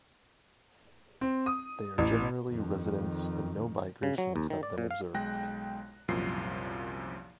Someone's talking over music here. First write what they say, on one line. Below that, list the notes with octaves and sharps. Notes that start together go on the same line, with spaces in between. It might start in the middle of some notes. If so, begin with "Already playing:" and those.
They are generally residents and no migrations have been observed.
C4
D#6
A1
F2 D#3
C#3
F#3
D#2
D#3
D5
A#2
F5
B1 G#3 G5 F#6 A#6
C2 F#2 A#2 F3 C7